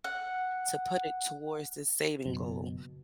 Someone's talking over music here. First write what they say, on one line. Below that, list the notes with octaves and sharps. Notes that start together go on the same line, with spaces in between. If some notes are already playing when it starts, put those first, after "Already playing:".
To put it towards the saving goal.
F#5
F#1 B2